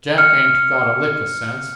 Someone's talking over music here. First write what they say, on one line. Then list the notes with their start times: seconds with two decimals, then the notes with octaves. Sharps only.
Jack ain't got a lick uh sense.
0.18 F6 C#7